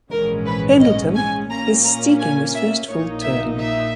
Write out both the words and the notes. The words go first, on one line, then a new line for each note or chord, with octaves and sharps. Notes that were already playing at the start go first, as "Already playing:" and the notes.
Pendleton is seeking his first full term.
A#1 G#2 E3 G#3 C#4 A#4
B4
D#5
G#5
A#2 A#3 C#4 A#5
A#5
G#5
E5
A#1 A#2 A#3 D#4 C#5
E5
E5